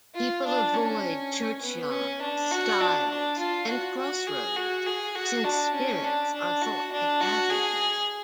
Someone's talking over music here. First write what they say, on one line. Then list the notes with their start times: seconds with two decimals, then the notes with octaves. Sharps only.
People avoid churchyards, stiles, and crossroads, since spirits are thought to gather there.
0.15 F4
0.45 D4
0.74 C#4
1.62 B3
1.91 C#4
2.22 D4
2.51 F#4
2.81 D4
3.10 D4
3.38 F4
3.69 F#4
3.98 F#4
4.27 G#4
4.56 F#4
4.86 G#4
5.15 F#4
5.44 D4
5.74 C#4
6.04 D4
6.34 D4
6.62 F#4
6.92 D4
7.21 F#4
7.50 G#4